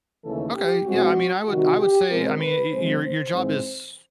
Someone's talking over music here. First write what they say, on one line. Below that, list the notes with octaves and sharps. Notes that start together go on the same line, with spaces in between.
Okay, yeah, I mean, I would I would say I mean, y your, your job is
D#2 C#3 E3 A3 A4
G4
E2 B2 G#3 C4 F#4
C3 D#3 G3 F#4
G4
B2 G#3 C4 A#4
B4
C3 F3 G#3 C4 C5
C5
G#2 E3 G#3 C4